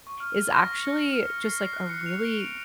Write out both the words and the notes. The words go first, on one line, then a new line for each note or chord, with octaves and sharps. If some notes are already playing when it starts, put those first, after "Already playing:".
is actually just, like, a really,
C#6
F6
A#6
C#7
F6
C7
C7
F#6
C#7
F7
D7
D#7